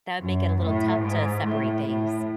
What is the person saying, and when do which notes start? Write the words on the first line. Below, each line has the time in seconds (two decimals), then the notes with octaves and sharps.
that would make it a little tough to separate things.
0.19 F#2
0.60 A2
1.02 G#2
1.44 A2
1.85 A2